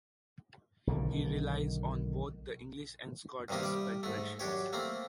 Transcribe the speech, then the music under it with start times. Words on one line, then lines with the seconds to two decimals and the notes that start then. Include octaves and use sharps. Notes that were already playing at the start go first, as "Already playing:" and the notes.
He relies on both the English and Scottish federations.
0.87 B1 D3 D#3
3.48 G2 C3 D#3 A#3 G4
3.63 G3 D5
4.03 G#2 A3
4.39 F#2 D4 G4 C#5
4.73 A3 A#3 C4